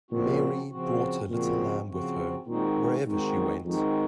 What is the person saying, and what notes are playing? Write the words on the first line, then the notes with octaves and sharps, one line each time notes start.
Mary brought her little lamb with her, wherever she went.
A#2 C#3 F3 C4 F#4
C#3 F3 C4 F#4
A#2 C#3 F3 C4 F#4
C#3 F3 C4 F#4
A#2 D#3 G#3 C4 D#4 F#4
G#2 D#3 G#3 C4 D#4 F#4
F#2
F2 D#3 G#3 C4 D#4 F#4